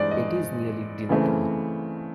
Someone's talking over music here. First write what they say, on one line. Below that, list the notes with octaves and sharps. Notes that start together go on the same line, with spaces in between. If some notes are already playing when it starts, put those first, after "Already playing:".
It is nearly dinner-time.
Already playing: G2 E3 G#3 C5 D5
D#5
C#3 E3 A3 C4